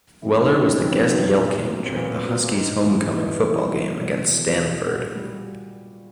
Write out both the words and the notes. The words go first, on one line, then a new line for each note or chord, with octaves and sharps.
Weller was the guest yell-king during the Huskies' homecoming football game against Stanford.
F2 E4
D#4
C3 D#3 F#3
C#4
F2 C4
B3
A#3
C3 D#3 F#3 B3
A#2
F#3
C4
A#2 B3
F#3
G#2
E3 G3
G#2 B3
B3
E3 G3
D#4
E2 F#4
B2 F#3
E2
B2 F#3
A#2 F#4
G3